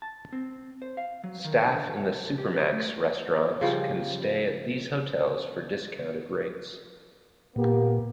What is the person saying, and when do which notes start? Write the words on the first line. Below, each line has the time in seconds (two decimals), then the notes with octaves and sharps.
Staff in the Supermacs restaurants can stay at these hotels for discounted rates.
0.02 A5
0.33 C4
0.82 C5
0.97 F5
1.24 F#3
1.45 D#3
1.66 D3
1.97 F#5
2.38 G4
2.73 A3
3.61 C#3 F3 G3
7.56 A#2 A#3 B3 G4